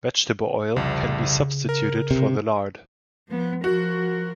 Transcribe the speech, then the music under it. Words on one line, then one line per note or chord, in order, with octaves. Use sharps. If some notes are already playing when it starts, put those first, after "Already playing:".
Vegetable oil can be substituted for the lard.
C2 F2 C#3
A#4
C3
F3 B3
F3 F#4 A#4